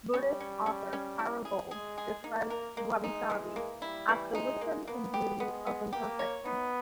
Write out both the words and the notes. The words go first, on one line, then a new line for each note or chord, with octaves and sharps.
Buddhist author Taro Gold describes wabi-sabi as "the wisdom and beauty of imperfection".
G3 C#4
C#4
C#4
C#4
E4
G#4
G#3 G#4
G#4
A#3 D#4
A#4
G#3 A#3
D#4
E3
A#3
G3 E4
E3
G#3 D#4
A#3
A#3 B3
G4
G#3 B3
B3
A#3 G4
C#5
B3 D#4